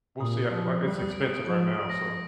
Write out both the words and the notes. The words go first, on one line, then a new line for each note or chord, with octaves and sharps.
we'll see, I like, it's expensive right now, so
A#2 D#6
D#6
F3 D#6
D#6
G3 D#6
D#6
D7
D7
F3 D#6
D#6
D#6
A#6
D#6